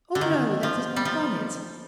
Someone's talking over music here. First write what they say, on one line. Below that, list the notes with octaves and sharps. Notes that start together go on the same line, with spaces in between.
'Oh no! that is my bonnet.
D3
D#3
F3
G3
F3